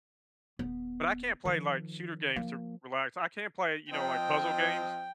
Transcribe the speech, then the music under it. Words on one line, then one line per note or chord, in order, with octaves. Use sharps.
But I can't play, like, shooter games to r relax, I can play, you know, like, puzzle games.
D#1 B3
D#3 F3
F3 A#3
F3 C4 D#5 G5